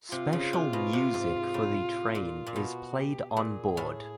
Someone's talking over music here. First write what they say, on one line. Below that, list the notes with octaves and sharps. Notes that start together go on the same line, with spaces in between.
Special music for the train is played on board.
C3 F4
C#3
C3
B2
C3
G#2
A2
A#2
A#2
B2 F#4
G4
A#2 G#4
A2